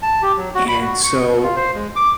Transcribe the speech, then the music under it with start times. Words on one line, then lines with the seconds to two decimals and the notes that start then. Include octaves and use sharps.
And so,
0.02 A5
0.22 G4
0.37 F#3
0.55 F#4
0.68 B5
0.81 F#4
1.04 C#6
1.26 B2
1.43 F4
1.56 C5
1.74 G#3
1.96 D6